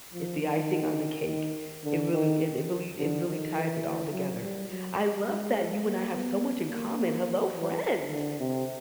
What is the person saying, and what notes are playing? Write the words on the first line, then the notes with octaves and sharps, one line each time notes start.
is the icing on the cake. It really is it really it really ties it all together. I love that you and I have so much in common. Hello, friend!
F3
D#3
D#3
D3
D#3
D3
D#3
E3
F#3
G3
F#3
G#3
A#3
B3
A#3
E3
D3
C3